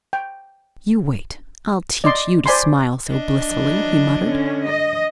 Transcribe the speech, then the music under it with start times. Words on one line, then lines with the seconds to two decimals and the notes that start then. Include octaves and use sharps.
"You wait; I'll teach you to smile so blissfully," he muttered.
0.13 G5
2.04 D5 D#5 C6
2.46 C5 D5 G#5 B5 C6
3.09 D4 D#5
3.47 E3 F#3
4.24 D3 C#4
4.66 D#5